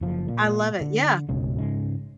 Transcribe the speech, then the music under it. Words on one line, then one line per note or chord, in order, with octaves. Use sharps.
I love it, yeah,
F#1 F3
A#2
D3
B1 F#2 C#3 G#3
G#2 C#3 G#3